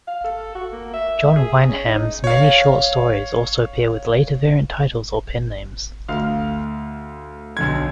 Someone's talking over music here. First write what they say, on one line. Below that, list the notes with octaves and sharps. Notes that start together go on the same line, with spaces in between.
John Wyndham's many short stories also appear with later variant titles or pen names.
F5
A4
F#4
A#3
E5
G#4
C#4
D#4
C#5 F5
D2 F5 F6
B1 D3 G#6